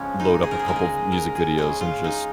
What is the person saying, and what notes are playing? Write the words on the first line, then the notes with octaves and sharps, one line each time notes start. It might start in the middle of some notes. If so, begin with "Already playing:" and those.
load up a couple of music videos and just
Already playing: C#3 F3 G#3 C#4
D#4
G#4
A#4
G#4
A#2 G#3 A#4
G#4
A#4
G#4
C#3 G#3 G#4
F4
D#4